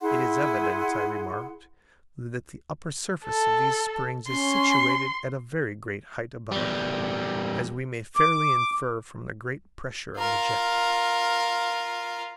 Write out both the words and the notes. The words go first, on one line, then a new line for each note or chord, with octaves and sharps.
"It is evident," I remarked, "that the upper surface of these springs is situated at a very great height above--as we may fairly infer from the great pressure of the jet."
E4 G#4 F#5 C6
A4
C#4 C6
E2 G3
D6
F4 A#4